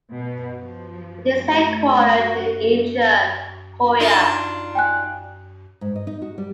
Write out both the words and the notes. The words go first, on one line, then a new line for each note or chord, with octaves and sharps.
It is headquartered in Incheon, Korea.
B2
F3
A3
F#4
D4 D#4 F4
G5 G#5 F#6
G#2
D#5
D#4
F#4
G3